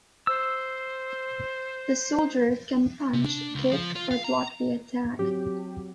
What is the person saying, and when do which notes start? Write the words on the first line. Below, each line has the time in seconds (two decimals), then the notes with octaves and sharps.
The soldiers can punch, kick, or block the attack.
0.27 C5 E6
3.13 C3
3.26 D4
3.55 C#2
3.72 F3
3.95 F4
4.11 F5
4.24 A#5
5.19 F#3 C4 G4